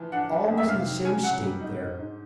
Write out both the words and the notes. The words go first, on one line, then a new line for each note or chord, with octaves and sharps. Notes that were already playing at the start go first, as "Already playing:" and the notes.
All was in the same state there.
Already playing: E3 F3
D4 F#5
G3
F2
E5
C3 F5
D#3
C#3 G#5
F#3 F#5
G3
D#4
G#2
G#2